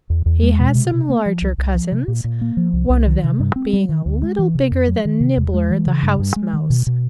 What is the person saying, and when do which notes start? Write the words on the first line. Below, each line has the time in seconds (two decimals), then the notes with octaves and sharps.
He has some larger cousins, one of them being a little bigger than Nibbler the House Mouse.
0.10 E2
0.26 E2
0.43 G#3
0.60 B2
0.75 C3
0.92 C3
1.09 A#3
1.26 F3
1.42 C2
1.58 C2
1.75 F3
1.92 C3
2.08 A#2
2.24 A#2
2.41 A#3
2.57 F3
2.73 C2
2.90 C2
3.07 D#3
3.24 C3
3.40 G2
3.56 C4
3.73 G3
3.89 D#3
4.06 D2
4.22 G#3
4.39 E3
4.55 C3
4.71 F2
4.88 F#3
5.05 D#3
5.20 C3
5.37 E2
5.54 G#3
5.70 E3
5.87 C#3
6.03 G2
6.19 G2
6.36 G#3
6.53 D#3
6.70 B2
6.87 B2